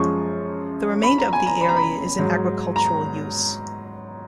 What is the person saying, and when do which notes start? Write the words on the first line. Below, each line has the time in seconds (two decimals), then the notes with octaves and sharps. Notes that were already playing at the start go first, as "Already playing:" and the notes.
The remainder of the area is in agricultural use.
Already playing: F#2 F3 G#3 C#6
1.03 B5
1.18 A#5
1.33 G#5
1.46 A#5
1.61 B5
1.69 A#5
1.76 B5
2.19 G#2 F#3
2.76 A#5